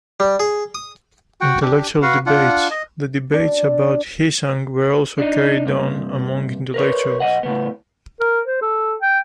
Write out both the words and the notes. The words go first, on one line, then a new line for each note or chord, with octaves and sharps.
Intellectual Debates: The debates about "Heshang" were also carried on among intellectuals.
G3
G#4
D#6
F#4 F#5 G5
D4 G4
F#4 B4 F5 F#5
D4 F4 F#5
D#5
D4
D4 D#4
G2 C3
A#4 B4 C#5
B1 D#5 F#5
A2 C#3 B3
A#4
C5
A4
G5